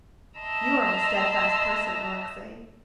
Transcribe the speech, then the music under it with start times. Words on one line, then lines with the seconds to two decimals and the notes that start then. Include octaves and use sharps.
You are a steadfast person, Alexey.
0.38 D#5 E5 A5 A#5 C6 E6